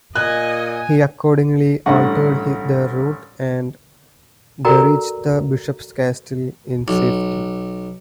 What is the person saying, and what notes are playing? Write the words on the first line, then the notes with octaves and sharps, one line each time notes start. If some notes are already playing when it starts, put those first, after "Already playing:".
He accordingly altered their route, and they reached the bishop's castle in safety.
A#2 D#5 G#5 F#6
A1 G2 A3 F#5 C#6
F#4 A4 A#4 D5 G5 A#5
B1